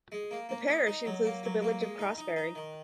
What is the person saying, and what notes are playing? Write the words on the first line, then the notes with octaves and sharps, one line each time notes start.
The Parish includes the village of Crossbarry.
G#3
A#3
A#3
D#4
D#4
F#3
A#3
F#3
A#3
G#3
D#4
D#4
D#4
D#3